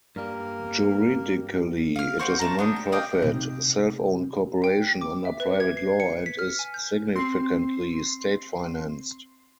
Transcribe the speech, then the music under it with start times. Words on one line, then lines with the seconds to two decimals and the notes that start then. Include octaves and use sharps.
Juridically it is a nonprofit self-owned corporation under private law and is significantly state-financed.
0.16 G2 G3 A#3 A#4
1.96 F5 F6
2.19 A#3 D#4 F#4 C5
2.39 A3 A5 A#5
2.59 B3 D4 G6
2.76 G5
2.92 D#5 F5 G5 D6
3.22 C3 D#4
4.64 G5
5.01 D6
5.25 E5
5.40 B4
5.60 G#6
5.77 C7
6.00 C#7
6.26 B6
6.39 F6
6.59 G#5
6.74 G6
7.15 C4 C6 C7